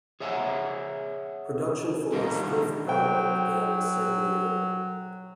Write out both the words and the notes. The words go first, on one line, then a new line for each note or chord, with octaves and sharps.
Production for his fifth album began the same year.
G#4 C#5 E5 F#5 G#5
D3 D#3 G3 A3 A#3 D#4
F#3 C5 G5